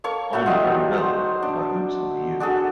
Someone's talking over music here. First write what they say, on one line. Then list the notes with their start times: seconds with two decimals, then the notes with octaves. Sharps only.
I’m very well, and I hope so are you.
0.04 A#3 A4 C#5 C#6
0.33 A3 F#4 E5 F#5
0.46 F#3 G3 D#4 F4
0.93 F#4 C5
1.42 D4
2.40 D4 F#4 G#4 A4